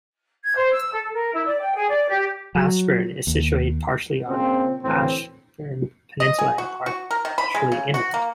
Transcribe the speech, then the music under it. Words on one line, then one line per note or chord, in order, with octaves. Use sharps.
Absheron is situated partially on Absheron Peninsula and partially inland.
G#6
C5
E6
A4
A#4
E4
D5
G5
G#4
D5
G4
F#3
D#2
A#2 C#3 C4
D2 A2 E3 C4
D#5
G#4
F#4
F#4
A#4
D#3
B5
G#3
C#3
F#4
A#3